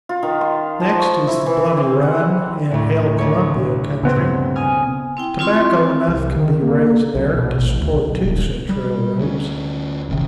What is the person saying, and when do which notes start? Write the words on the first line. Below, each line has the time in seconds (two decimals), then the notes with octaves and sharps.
Next is the Bloody Run and Hail Columbia country--tobacco enough can be raised there to support two such railroads.
0.09 F4
0.23 D#3
0.41 C6
0.80 F3
1.00 C#6
1.27 E4
1.46 E3
1.77 C4
2.03 F#5
2.71 D2 A2
3.18 D2 C#5
4.03 C#3 B3 C4
4.15 G2 B2
4.55 G#5 D#6 F6
5.17 C4 E4 G5
5.39 C4 E4 F4 C6 C#6
6.08 C2
6.39 D#3
6.62 A#3
7.15 B1
7.38 B2
7.59 A1
7.80 D2
7.93 B1
8.25 D#1
8.69 G3
9.19 D2 C#4
10.09 D1 G1 C3 D#3